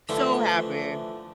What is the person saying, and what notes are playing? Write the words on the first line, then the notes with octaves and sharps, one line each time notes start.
So happy.
D3 E3 F3 A3 D4